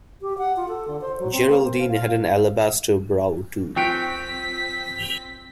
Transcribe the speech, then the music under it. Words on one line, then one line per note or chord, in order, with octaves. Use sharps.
Geraldine had an alabaster brow too.
G4
F#5
F4
A4
D3
C5
F#3
C4
A#3
C5
F5
F5
F#3 C4 F4 G5 B6 C#7 D7